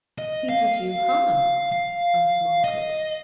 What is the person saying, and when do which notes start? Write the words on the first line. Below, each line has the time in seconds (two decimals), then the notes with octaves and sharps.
'He did you harm?' asked Margaret.
0.19 D#5
0.49 F5
1.72 F5
2.64 D#5